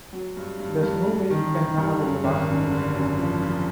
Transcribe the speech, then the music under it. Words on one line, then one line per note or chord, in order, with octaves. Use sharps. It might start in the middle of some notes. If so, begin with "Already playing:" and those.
There's no way you can hammer in the last nail.
F#3
G2
G2
G2
G2
D#3
D#3
G2
F#2
G#1
F#2
D3
F#2
F3
F3